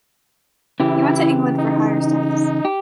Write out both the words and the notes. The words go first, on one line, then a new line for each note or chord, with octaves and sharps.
He went to England for higher studies.
C#3 E3 E4 G4
D#4
G4